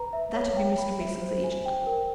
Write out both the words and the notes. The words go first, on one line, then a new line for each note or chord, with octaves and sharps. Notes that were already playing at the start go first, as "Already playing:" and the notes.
That be Mr. Mason's agent.
Already playing: B4 A#5
E5
C#5
G5
B5
E5
C5
G#5
G5
A#4